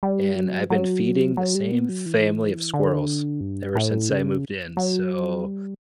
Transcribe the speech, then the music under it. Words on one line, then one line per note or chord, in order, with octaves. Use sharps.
And I've been feeding the same family of squirrels ever since I moved in. So
G3
F#3
F#3
F#3
G3
B3
F#3
E3
D3
G2
A2
C#3
F#3
G3